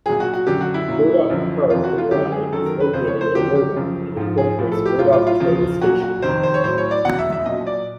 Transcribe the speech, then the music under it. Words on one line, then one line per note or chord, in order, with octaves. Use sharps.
Murdoch Park 'n' Ride is located in Murdoch, and incorporates Murdoch Train Station.
A#2 F#3 G#4
F#4
F#4
F#2 D3 F#3 G4
F#4
E4
A#2 F#3
F#2 D3 F3
F2 C3 E3 F4
F#4
F4
F#2 D3 F#3 G4
G#4
F#2 D#3 F#3 A4
A#4
B4
F2 C#3 F3 C5
C#5
C5
F2 D3 F#3 G4
G4
F#2 C#3 F3
G#2 F3
G#4
A2 F3
A4
G4
A2 F#3 F4
F4
F4
E2 C#3 F3
A#2 F#3 F#4
F#4
F2 C3 D#3 C5
C5
C#5
A2 F#3 C5
C#5
D5
E2 B2 F#3 F#5
E5
E5
A#2 F#3 D#5
D5